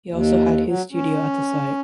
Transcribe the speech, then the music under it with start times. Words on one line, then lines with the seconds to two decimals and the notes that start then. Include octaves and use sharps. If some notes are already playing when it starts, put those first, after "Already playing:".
He also had his studio at the site.
0.12 D#2
0.67 F#3
0.92 C#4